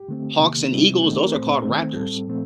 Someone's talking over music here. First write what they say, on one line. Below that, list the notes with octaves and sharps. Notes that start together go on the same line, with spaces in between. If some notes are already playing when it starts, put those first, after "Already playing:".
hawks and eagles, those are called raptors.
Already playing: G4
D3 A3 C4
C3 D#3 A#3
C3 G3 C4 D#4
D#3 A3 C4 D#4
A#4
A#2 A3 C4 C5
D#3 A3 C4
A2 G3 C4 A4
A#2 F3 A3 C4